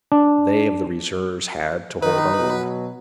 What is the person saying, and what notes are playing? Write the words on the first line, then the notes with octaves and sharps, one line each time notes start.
They of the reserves had to hold on.
D4
D#3 D#4 B4
B2 F#3